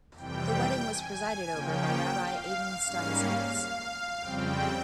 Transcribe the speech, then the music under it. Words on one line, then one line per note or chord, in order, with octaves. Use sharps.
The wedding was presided over by Rabbi Adin Steinsaltz.
F2 C3 E3 G3 G5
G#5
C#3 F3 A#3 C#4 G5
F5
G#2 G3 A#3 C#4
F2 C#3 G3 C4 G5